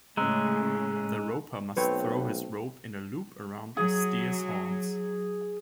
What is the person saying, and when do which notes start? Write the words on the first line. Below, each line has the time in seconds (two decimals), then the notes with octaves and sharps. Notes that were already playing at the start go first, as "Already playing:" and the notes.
The roper must throw his rope in a loop around the steer's horns.
0.17 A2 C#3 G#3 A#5 E6 F#6
1.77 B1 A3 C4 B4 C#5
3.77 F#3 G#4